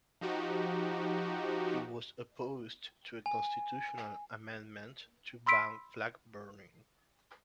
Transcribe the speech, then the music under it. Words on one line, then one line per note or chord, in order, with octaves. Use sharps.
He was opposed to a constitutional amendment to ban flag burning.
F3 D#4 F#4 G4
G#5
B5 C6 E6 B6 D7